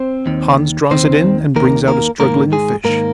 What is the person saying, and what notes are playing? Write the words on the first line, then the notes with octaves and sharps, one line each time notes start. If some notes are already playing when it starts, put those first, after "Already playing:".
Hans draws it in and brings out a struggling fish.
Already playing: C4 C5
D#2 D#3
D#2 D#3 C4 C5
D#2 D#3 A#3 A#4
A#3 A#4
G#2 D#3 A#3 A#4
G#3 G#4
G#2 D#3 A#3 A#4